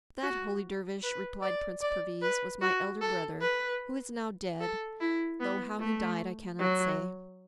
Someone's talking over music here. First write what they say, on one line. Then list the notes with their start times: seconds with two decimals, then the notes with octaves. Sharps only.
"That, holy dervish," replied Prince Perviz, "was my elder brother, who is now dead, though how he died I cannot say."
0.23 F#4
1.03 B4
1.42 D5
1.82 D5
2.22 B4
2.61 F#4
3.01 A4
3.41 B4
4.60 A4
5.00 E4
5.40 B3
5.80 A3
6.59 F#3